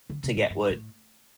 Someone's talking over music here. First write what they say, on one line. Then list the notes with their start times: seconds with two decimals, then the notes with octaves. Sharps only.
to get what
0.10 D3
0.24 C3
0.37 A2
0.50 G2
0.70 A2